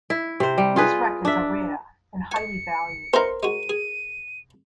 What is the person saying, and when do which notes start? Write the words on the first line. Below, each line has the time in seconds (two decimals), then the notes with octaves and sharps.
These records are rare and highly valued.
0.10 E4
0.40 C3 C5
0.58 G3
0.76 F4 G#4 B4
1.25 D4 E5
2.32 D#5 G#5 C#7
3.13 B3 D#4 E4 A#4 C5
3.43 G#3 F#4 D#7
3.69 G#4